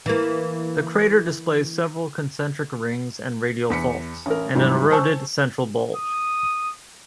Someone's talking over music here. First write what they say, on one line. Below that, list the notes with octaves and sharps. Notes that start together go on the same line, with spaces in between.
The crater displays several concentric rings and radial faults, and an eroded central bulge.
E3 A#3
E2 B6 C#7
A1 A#4
G#2 E3 F#3 G3
C5 G#5 A5 C#6 E6
D#6